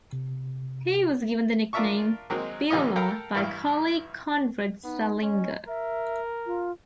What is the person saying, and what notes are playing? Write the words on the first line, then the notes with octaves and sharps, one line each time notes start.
He was given the nickname "Beulah" by colleague Conrad Salinger.
C3
D4 F4 A#4 E5 A5 C#6
D#3 F#3 G#3 A#3 C4 D#4
A1 D3 E3 G3 F4 D#5
A4 A#4 F5 G5 A#5 B5
A1 G2 E4 F5
B3 D#4
C#4 D#5
A#4 E5
F4